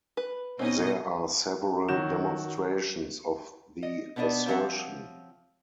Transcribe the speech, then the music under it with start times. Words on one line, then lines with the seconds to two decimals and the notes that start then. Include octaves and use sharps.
There are several demonstrations of the assertion.
0.17 B4
0.59 B2 C4 C#4 D#4 D#5
1.89 D#3 F#3 F#4 G6 E7
3.83 D#5
4.16 B2 B3 D4 D5 D#5
4.48 F3 C4 C#5 E5 F#5